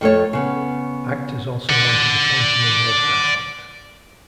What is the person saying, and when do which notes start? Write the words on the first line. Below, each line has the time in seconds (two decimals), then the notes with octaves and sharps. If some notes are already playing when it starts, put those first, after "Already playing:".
Actors also wanted a pension and welfare fund.
0.01 F2 A3 C#5
0.33 C#3 B3
1.69 D5 F#5